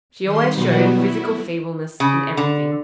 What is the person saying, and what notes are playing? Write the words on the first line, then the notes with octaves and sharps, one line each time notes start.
She always showed physical feebleness in everything.
D#3 G3 C6
B2 F#3 G3 B3 F#4
E4
C#3
D3